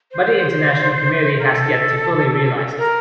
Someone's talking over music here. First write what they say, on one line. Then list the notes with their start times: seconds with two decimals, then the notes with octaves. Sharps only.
But the international community has yet to fully realize it.
0.12 C5
1.39 A#4
1.45 A4
2.78 A#4